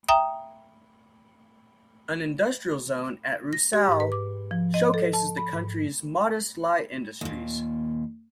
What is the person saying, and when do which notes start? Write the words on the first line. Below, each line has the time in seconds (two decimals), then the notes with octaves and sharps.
An industrial zone at Rusayl showcases the country's modest light industries.
0.09 E5 G5 A#5 D#6
3.53 A#6
3.73 G4
3.88 G#2
4.00 B4
4.12 D6
4.51 F3
4.74 D#5
4.94 A4
5.13 A5
5.37 B5
5.53 G#2
7.21 D#2 A#2